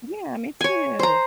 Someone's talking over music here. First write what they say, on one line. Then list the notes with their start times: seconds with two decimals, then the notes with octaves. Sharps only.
Yeah, me too.
0.61 C#5 G#5
0.99 C5 A#5